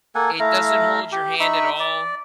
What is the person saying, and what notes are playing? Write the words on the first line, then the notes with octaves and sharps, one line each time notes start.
It doesn't hold your hand at all.
A#3 A4 F#5 G#5
A3 E4 F5 A#5
G4
D#4 E5 B5 C#6
D5